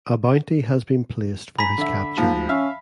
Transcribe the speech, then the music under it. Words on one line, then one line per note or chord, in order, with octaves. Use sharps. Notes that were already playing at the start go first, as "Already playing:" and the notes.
A bounty has been placed for his capture.
G#5 A#5 B5 B6
D3 E5
G#2 F3 A#3
D2
C#4 E5 F5 F6